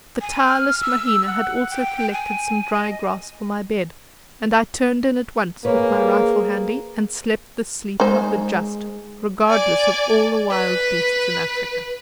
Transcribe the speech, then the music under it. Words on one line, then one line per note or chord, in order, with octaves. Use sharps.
The tireless Mahina had also collected some dry grass for my bed, and I turned in at once, with my rifle handy, and slept the sleep of the just, regardless of all the wild beasts in Africa.
G#5
F6
E6
F#5
G5
G#5
D#5
A#3 G#4 B4 C#5
G#3 D#4 C5
D5 G#5
B4